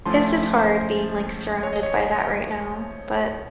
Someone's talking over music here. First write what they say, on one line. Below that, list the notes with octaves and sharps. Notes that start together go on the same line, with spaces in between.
it's just hard being, like, surrounded by that right now, but
A2 F3 A3 C#4 A5 C6
C5
C#5
D#5
C#5